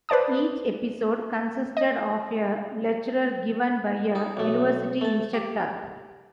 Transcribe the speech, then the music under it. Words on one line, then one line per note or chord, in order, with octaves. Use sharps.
Each episode consisted of a lecture given by a university instructor.
B4 C5 D5 A5 D#6
D#5
D#4
B1 A3
A3 A5
G4